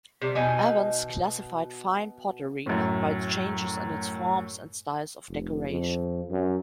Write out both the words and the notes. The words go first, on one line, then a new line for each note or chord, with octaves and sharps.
Evans classified fine pottery by the changes in its forms and styles of decoration.
C3 G3
B2 D#4 G#5
F#2 A2
F1
F2
F#2